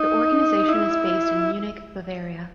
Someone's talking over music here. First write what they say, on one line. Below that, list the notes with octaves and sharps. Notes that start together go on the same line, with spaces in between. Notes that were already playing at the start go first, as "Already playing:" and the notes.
The organization is based in Munich, Bavaria.
Already playing: D#4
E4